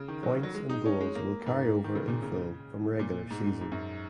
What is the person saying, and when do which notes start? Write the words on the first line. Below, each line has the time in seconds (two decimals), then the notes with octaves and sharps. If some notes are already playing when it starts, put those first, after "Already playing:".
Points and goals will carry over in full from regular season.
Already playing: C#3
0.08 D#3
0.23 F#3
0.43 F#3
0.54 G#3
0.69 D#4
0.86 C#4
1.01 G#3
1.15 A#3
1.46 G#2
1.84 D#3
1.95 C#3
2.07 A#2
2.22 C#3
2.99 A#2
3.31 G#2
3.61 G#2
3.72 F#2